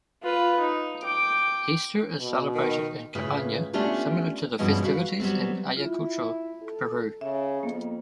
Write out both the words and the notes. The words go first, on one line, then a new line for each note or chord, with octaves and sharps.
Easter is celebrated in Cabana similar to the festivities in Ayacucho, Peru.
F4 B4
D#4
G5 D6
B2
D#3
A2 C#3 F4 B4
A3 B3 C#4 D4 F4 G4
G2 B2 E3 F3 G#3 C#4
F#4 B4 F5
F#3 G3 B3 C4
E4 F4
A4
C#3 E5
F2 A#3 B3